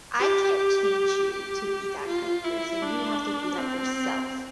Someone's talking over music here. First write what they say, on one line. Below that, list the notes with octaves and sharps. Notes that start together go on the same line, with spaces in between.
I can't change you to be that kind of person, you have to do that yourself.
G4
G4
G4
F4
E4
D4
C4